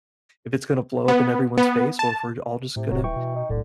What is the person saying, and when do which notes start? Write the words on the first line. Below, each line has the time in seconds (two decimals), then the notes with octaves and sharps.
If it's gonna blow up in everyone's face or if we're all just gonna, you
1.08 B3
1.57 B3
1.99 A5
2.76 A2 C3
2.91 D#1 F#3
3.04 E3 G5 C#6
3.16 B2
3.36 D#4
3.50 D#1 B1 A2 D3